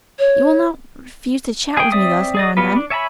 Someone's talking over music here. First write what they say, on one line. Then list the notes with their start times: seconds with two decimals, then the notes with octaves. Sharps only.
"You will not refuse to chat with me thus now and then?"
0.19 C#5
1.77 G#4 G5
1.92 C4 D5 E5 D#6
2.35 G#4 D5 D#5
2.57 G3 B3 F4 B4
2.76 D4
2.90 C#5 E5 G#5 A5 B5